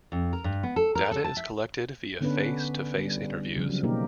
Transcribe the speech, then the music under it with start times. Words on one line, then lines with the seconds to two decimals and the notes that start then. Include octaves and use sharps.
Data is collected via face to face interviews.
0.12 F2
0.33 A#4
0.44 G2
0.63 B3
0.76 A4
0.95 A#4
1.11 A4
1.24 A5
1.37 E5
2.21 D3 B3 C#4 D4 B4
2.98 G3
3.56 C#3 F3 G3
3.69 F#3
3.83 B2 A#3 D#4 G4 A#4